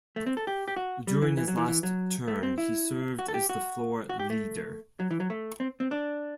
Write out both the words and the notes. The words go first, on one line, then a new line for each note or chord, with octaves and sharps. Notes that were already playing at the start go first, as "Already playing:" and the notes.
During his last term, he served as the floor leader.
A3
C4
A4
G4
G4
F#4
G3
E3
E3
F#3
E3
E3
F#3
A3
C4
E4
F#4
A4
G4
F#4
F#4
G4
A3
F#3
E3
F#3
A3
C4
C4
D4